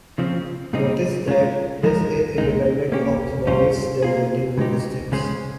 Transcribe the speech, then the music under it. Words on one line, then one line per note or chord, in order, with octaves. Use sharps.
Notice that this is independent of the noise generating resistance.
C#3 F3 C4
A#2 G3 C4 D#4
C#3 G#3 C#4 F4 A#4
F3 G#3 D#4 A#4
A#2 G#3 D#4
A#3 C#4 G4
G3 C#4 F4 C5
A#3 F4 G#4
C#3 G#3 D#4 G4
C#3 G#3 C#4 G#4 C5